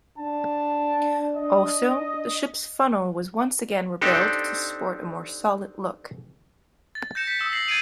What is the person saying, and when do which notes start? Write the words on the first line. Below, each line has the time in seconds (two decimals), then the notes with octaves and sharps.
Also, the ship's funnel was once again rebuilt to sport a more solid look.
0.18 D4 A5
1.37 D#5
4.01 C4 D4 D#4 G4 A4
6.95 A6
7.15 G6 A#6 C#7 E7
7.27 B6
7.39 D#6 E6 E7
7.53 A#6 C7 F#7
7.67 G#6 A6 C7 D7 D#7 F7